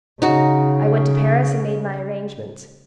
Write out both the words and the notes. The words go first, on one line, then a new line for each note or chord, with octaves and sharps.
I went to Paris and made my arrangements.
C#3 D#4 F#4